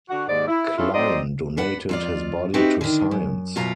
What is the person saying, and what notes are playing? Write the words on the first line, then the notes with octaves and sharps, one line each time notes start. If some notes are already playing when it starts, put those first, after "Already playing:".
Klein donated his body to science.
D3 F#4 F#5
D#2 G#2 D5
E4
C#4 D4 E4 F4 G#4 A4
F#3 C4 D#4 C5 D5 D#5
D4 B4 F#5
F2 F4 D5
C4 D#4 E4 F#4 G4 B4
D3 D#3
F#2
F#2 B2 E4 F4 A#5